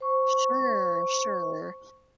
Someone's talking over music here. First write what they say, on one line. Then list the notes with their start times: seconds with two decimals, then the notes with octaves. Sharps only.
Sure. Sure.
0.01 C5 C#6